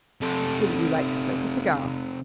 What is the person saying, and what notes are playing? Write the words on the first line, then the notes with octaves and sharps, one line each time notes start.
Wouldn't you like to smoke a cigar?
C3 A4